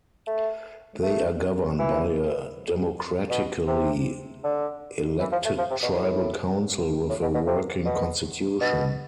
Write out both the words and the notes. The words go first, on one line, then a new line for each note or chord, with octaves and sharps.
They are governed by a democratically elected tribal council, with a working constitution.
A3
A3
E3
B2
C3
D3
E3
F3
A3
F3
C3
B2
A2
A2
B2
B2
C3
B2
B2